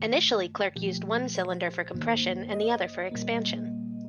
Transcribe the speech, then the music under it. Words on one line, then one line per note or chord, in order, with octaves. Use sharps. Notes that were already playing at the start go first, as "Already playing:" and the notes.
Initially Clerk used one cylinder for compression and the other for expansion.
Already playing: G2 D#3 A3
A#2 F3 A3 G4
C5
G2 D#3 A#3
D#5
A#2 G3 A#3